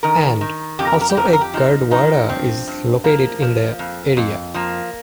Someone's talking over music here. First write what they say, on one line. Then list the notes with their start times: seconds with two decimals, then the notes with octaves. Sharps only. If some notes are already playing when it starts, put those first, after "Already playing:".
And, also a Gurdwara is located in the area.
0.03 D#3 A#4
0.41 D#3
0.79 F2 G4
0.87 A#4
0.93 G4
1.01 A#4
1.09 G4
1.17 F2 A#4
1.25 G4
1.33 A#4
1.41 G4
1.54 F3 D#4
1.91 F3 D#4
2.29 G2 C4
2.67 G2
3.04 F3 A#3
3.42 F3
3.79 F2
4.17 F2
4.54 F3 A#3